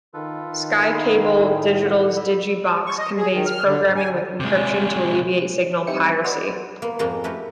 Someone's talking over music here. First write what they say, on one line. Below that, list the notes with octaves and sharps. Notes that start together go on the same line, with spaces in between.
SkyCable Digital's Digibox conveys programming with encryption to alleviate signal piracy.
D#3 F4 A4 B4
D#3
E4 F5 F6
A2 G#4
F#5
B5 E6
C#6
D#5
G#4
D#3
F6
D3
G#2
G#5
D3
C3 G#3
G3 C4 D#4 E4 G5 C#7
F#4 B4 C5 D5 D#5
A#3 B3
F2 G#2 G#3 A#3 A#5 C6
A3 C#4 F#4 G4 A#4 B4